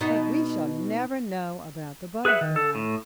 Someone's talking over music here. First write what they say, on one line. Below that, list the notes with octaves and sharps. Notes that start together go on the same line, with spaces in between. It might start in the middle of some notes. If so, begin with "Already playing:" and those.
But we shall never know about the butterfly.
B2 B3 D#4
G#4 B4 C5 E5 F#5
D#3
A4
A2